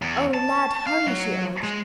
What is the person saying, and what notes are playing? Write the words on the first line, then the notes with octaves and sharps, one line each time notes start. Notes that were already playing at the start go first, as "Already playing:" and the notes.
"Oh, Lad, hurry!" she urged.
E2
A5
F5
F#3
G#3